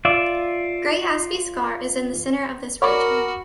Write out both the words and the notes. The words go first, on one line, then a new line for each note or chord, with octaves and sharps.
Great Asby Scar is in the centre of this region.
F4 D5 E5
F#4 A#4 C#5 D5 F#5 B5 D6